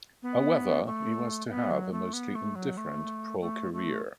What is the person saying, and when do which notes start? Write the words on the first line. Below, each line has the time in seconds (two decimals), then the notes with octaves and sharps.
However, he was to have a mostly indifferent pro career.
0.22 B3
0.86 A3
1.50 B3
1.71 F#3
1.92 A3
2.13 B3
2.35 A3
2.55 F#3
2.77 A3
3.41 A3
3.73 A3